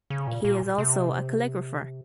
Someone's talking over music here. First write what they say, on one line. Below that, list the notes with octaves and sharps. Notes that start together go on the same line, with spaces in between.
He is also a calligrapher.
C#3
A#2
A#2
C3